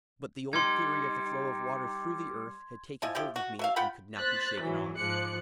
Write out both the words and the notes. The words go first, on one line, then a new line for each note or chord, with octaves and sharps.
But the old theory of the flow of water through the earth had taken hold of me and could not be shaken off.
G3 D#4 C6 G#6
F3 E4 D#5 G#5
F3 E4 G4 G5
F#4
F#3 E5 F5
F4 F#5 G5 B5
C5 F#6 A6 B6
G#2 E3 F#3
G#2 F3 G#3 D6 F#6 C#7